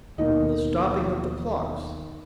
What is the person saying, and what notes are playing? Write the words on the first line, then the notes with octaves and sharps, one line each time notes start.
And the stopping of the clocks?
D#2 B2 A#3 D#4 D#5